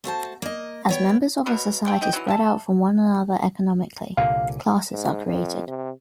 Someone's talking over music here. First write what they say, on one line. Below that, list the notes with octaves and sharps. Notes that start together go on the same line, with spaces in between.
As members of a society spread out from one another economically, classes are created.
A3 F#4 C5 A5
A#3 D#5
B3 C#5 G5
B2 F#3 A#4 B5
A3 G5
D#4 G4 G5
E3 F#3
E5 A5
C2 A#2 D3 F5
G#2
F2
C3